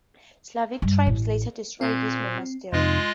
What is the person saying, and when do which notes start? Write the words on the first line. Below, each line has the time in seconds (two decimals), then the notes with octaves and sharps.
Slavic tribes later destroyed this monastery.
0.82 G2
1.07 A1
1.81 A#2 C4
2.72 F2 C3 G#3 D#4 F4 D#5